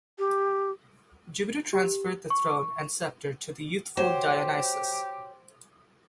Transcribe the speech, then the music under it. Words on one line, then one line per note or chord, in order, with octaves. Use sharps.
Jupiter transferred the throne and scepter to the youthful Dionysus.
G4
G4
C#6
F#4 G4 C5 C#5 G5